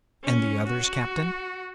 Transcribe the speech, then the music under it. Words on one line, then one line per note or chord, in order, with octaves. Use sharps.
"And the others, captain?"
C#4
F#4